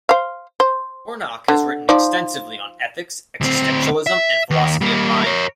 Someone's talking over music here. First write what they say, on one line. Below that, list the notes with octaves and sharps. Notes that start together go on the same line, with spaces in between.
Warnock has written extensively on ethics, existentialism and philosophy of mind.
C5 F5
C5
D3
F3 D#4 D5
D2 C4
E5
D#2
G3 A#3
A#4 C#5